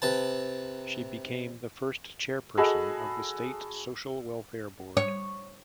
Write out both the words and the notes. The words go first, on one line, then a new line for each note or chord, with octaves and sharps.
She became the first chairperson of the State Social Welfare Board.
C3 B4 A5
F#4 G#4 A4 D#5 B5 E6
C#5